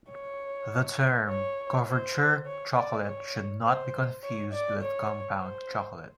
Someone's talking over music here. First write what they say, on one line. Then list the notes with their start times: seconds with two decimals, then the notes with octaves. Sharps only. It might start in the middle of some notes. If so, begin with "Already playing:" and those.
The term "couverture chocolate" should not be confused with compound chocolate.
0.10 C#5
1.29 C#5
1.87 C5
2.46 C#5
2.76 D5
3.06 C#5
3.64 C5
4.23 C#5
4.52 D5
4.82 C#5
5.41 C5